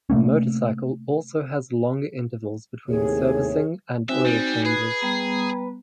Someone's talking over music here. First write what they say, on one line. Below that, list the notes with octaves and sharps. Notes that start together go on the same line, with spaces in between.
The motorcycle also has longer intervals between servicing and oil changes.
C3 A3 A#3 C#4
D#2 A2 C3 G#4 C#5
C4 D#4 F#4 E5 G#5
G3
G#4 B4
G3 B3 A#5